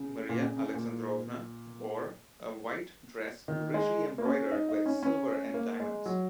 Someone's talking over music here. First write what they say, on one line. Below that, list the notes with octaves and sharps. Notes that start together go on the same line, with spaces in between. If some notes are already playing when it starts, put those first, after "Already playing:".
Maria Alexandrovna wore a white dress richly embroidered with silver and diamonds.
Already playing: C#3
A#2
C#3
C#3
A#2
D#3
G#3
A#3
C#4
D#4
D#4
C#4
C#4
A#3
G#3
F#3